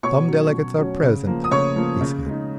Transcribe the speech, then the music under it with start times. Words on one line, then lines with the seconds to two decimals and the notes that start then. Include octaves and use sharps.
"Some delegates are present," he said.
0.03 B2 C#5 C#6
0.28 F#3 C#4
0.53 B2
0.78 F#3 C#4
1.02 C#3
1.27 F3 A#3
1.44 D#6
1.51 C#3 C#5 C#6
1.76 F3 A#3
2.01 C#3
2.26 G#3 D#4